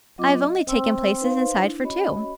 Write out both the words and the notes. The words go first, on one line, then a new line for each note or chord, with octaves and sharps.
I have only taken places inside for two.'
F#3 C4 F4 D#5 D6
D#5
C4 C5 G5 C6 E6
D#4 B4 C5 F5 C6
D4 E4
C#4 F#4 C#5 D#5 B5